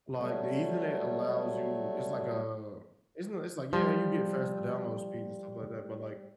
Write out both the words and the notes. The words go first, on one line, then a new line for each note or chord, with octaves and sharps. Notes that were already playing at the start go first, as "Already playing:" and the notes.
like, the ethernet allows you It's like a it's n it's like, yeah, you get faster download speeds and stuff like that, but, like,
F#3 G3 A3
F3 G3